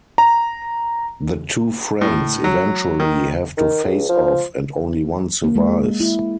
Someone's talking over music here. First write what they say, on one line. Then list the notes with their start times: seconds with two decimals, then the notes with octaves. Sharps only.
The two friends eventually have to face-off and only one survives.
0.18 A#5
2.01 A2
2.44 F#3
3.00 D#3
3.58 D#3
3.84 C#2
4.09 F3
5.44 A#3
5.55 G#3
6.00 E4